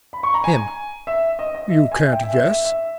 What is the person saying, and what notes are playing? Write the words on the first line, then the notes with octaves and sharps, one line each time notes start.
HIM: You can't guess?
B5
C#6
A#5
G#5
E5
D#5
D#5
E5
G#5
E5
G5
E5
E5
E5
E5